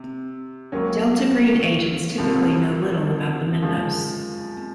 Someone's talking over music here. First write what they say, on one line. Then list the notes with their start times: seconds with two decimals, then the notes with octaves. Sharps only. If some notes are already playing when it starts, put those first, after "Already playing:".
Delta Green agents typically know little about the Mythos.
Already playing: C3
0.72 C#2 C#3 F#3 A#3 C#4
2.17 C2 C3 F3 A#3
3.62 F#2 F3 G#3